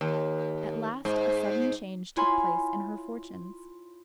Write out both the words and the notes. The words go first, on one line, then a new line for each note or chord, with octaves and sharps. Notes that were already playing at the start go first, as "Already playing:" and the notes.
At last a sudden change took place in her fortunes.
D#2
G#2
E4 F4 C#5 G#5 B5 C6